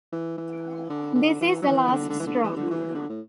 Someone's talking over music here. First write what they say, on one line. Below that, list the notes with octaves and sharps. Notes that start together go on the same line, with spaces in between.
This is the last straw.
E3
E3
D3
D3
E3
F#3
E3
E3
D3
D3
E3
D3
E3
D3
E3
D3
A2